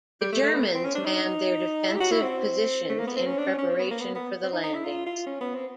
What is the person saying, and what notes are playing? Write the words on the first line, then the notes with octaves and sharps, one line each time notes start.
The Germans manned their defensive positions in preparation for the landings.
G3
A3
A3
B3
C4
C#4
D4
D#4
E4
G4
F#4
E4
C4
A3
A#3
B3
C4
C#4
D4
C#4
C#4
C4
B3
A#3
B3
B3
C4
D#4
D#4
E4
F4
F4
C#4
B3
C4